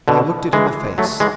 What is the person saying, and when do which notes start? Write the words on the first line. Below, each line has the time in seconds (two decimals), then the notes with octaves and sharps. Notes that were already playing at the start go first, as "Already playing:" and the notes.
I looked it in the face.
0.08 B2 D3
0.53 E3 G#3
0.98 F#3 A3
1.20 E3 G#3